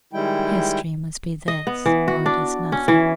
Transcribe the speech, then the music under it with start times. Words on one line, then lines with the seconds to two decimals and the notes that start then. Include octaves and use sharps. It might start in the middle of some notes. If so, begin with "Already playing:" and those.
History must be this or it is nothing.
0.13 D#3 G3 G#3 E4 G5
1.48 D#5
1.67 B3
1.86 E3
2.08 F#4
2.26 D4
2.72 C#4
2.88 E3